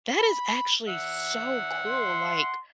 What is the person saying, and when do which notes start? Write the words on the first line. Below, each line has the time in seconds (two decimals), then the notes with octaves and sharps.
That is actually so cool, like,
0.19 B5
0.88 E5 F#5
1.86 C6